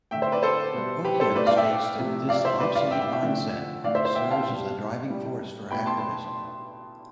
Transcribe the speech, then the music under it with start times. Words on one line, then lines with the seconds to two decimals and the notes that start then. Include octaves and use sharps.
Ochieng states that this obsolete mindset serves as the driving force for her activism.
0.11 D3 A3 E5 G5
0.22 C5 E5
0.32 B4 D5
0.43 A4 C5
0.73 B2 G3
1.05 G4 B4
1.20 A4 C5
1.35 B2 A3 B4 D5
1.47 D5 F5
1.56 E5 G5
1.99 C3 F3 A3
2.29 D5 F5
2.45 C5 E5
2.60 A2 G3 B4 D5
2.75 D5 F5
2.91 E5 G5
3.01 E5 G5
3.12 E5 G5
3.22 D3 F3 A3
3.84 D3 A3 D5 F5
3.95 C5 E5
4.05 C5 E5
4.15 E5 G5
4.31 F5 A5
4.47 B2 G3
5.09 A2 G3
5.71 B2 A3 G5 B5
5.86 A5 C6